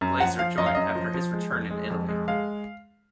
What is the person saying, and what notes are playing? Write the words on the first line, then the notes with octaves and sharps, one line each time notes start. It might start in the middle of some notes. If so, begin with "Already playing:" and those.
Glaser joined after his return in Italy.
F#2
F3 F#5
F3 F5
F#2 D#5
F5
F#2 D#5
F3
F3
G#3
F2
G#3
F2
G#3
G#3 F5